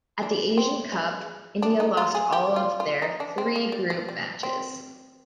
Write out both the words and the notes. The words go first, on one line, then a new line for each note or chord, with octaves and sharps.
At the Asian Cup, India lost all of their three group matches.
D4
C4
G#3
D4
D#4
F4
G#4
G4
F4
F4
D#4
D4
C4
A#3
G3
F3
G3
C4